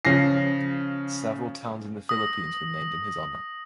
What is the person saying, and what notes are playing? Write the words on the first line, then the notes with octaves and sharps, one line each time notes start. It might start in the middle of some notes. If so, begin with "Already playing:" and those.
Several towns in the Philippines were named in his honor.
C#3 F3 A#6 C7
D#6 A#6